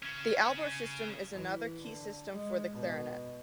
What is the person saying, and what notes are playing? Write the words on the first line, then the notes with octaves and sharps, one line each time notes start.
The Albert system is another key system for the clarinet.
C#3 C#4
E3
D3
G#3
B2